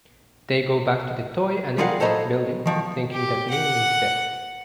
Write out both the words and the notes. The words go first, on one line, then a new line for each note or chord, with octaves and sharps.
They go back to the Toy and Import building, thinking that Nino is dead.
G3 F4 G#4 A#4 F5 F#5
A4 C5 C#5 D#5 A#5 B5
D#3 F3 F#3
G4
F#5